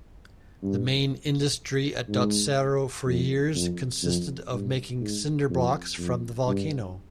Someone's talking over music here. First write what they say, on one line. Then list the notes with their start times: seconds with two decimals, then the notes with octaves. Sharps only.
The main industry at Dotsero for years consisted of making cinderblocks from the volcano.
0.63 G2
2.09 G#2
3.06 F2
3.55 F2
4.03 F2
4.52 G2
5.01 G#2
5.50 F2
5.98 F2
6.47 G2